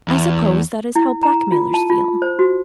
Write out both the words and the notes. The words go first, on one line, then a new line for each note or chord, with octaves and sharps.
"I suppose that is how blackmailers feel."
E2
E4
A#5
F4
A5
F4
C5
F#4